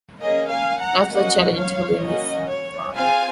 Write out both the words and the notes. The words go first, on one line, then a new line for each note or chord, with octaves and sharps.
Lasalle challenged Helene's father.
A#3 C#4 G#4 D#5
F5 G#5
F#5 A#5
A#3 C#4 F#4 D#5 F#5
C#5 F5
A#3 C#4 F#4 D#5
C#5
C4 F4 G#4 F5 G#5